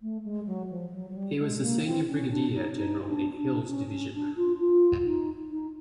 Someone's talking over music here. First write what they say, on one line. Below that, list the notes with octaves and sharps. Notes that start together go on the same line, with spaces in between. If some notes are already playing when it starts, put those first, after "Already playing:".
He was the senior brigadier general in Hill's division.
A3
G#3
F#3
F3
F#3
F#3
G3
G#3
A#3
C4
C#4
D4
D#4
D#4
D4
D4
C#4
C#4
D4
F4
F4
D#4
D#4